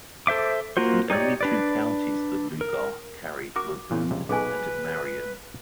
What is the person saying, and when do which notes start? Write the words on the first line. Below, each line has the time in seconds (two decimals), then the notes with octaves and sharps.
The only two counties that Lugar carried were Boone and Marion.
0.27 A4 C5 E5 D6
0.77 A#3 F4 F#4 C5
1.10 D#4 G4 C#5 D5
1.41 D4 B4 D5
2.61 A#4
3.56 F#4 A#4 D6
3.91 A#2 C#3
4.11 C#2 C3
4.29 B1 B2 G#4 B4 G#5